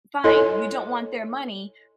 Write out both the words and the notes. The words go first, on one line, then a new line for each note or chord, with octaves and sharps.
fine. You don't want their money.
E4 A4 C#5 D#5 G#5